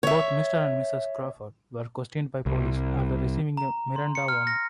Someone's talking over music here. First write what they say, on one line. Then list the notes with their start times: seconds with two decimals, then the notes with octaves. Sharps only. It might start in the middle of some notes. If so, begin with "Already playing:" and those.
Both Mr. and Mrs. Crawford were questioned by police after receiving a Miranda warning.
0.03 C#5 E5
2.46 C2
3.57 A#5
3.96 C6
4.15 C#7
4.28 F6
4.47 A#6